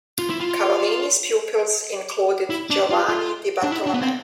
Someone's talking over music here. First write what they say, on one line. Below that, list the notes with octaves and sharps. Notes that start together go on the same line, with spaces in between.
Cavallini's pupils included Giovanni di Bartolommeo.
F4
E4
F4
E4
D4
F4
F4
D4
E4
D4
B3
C4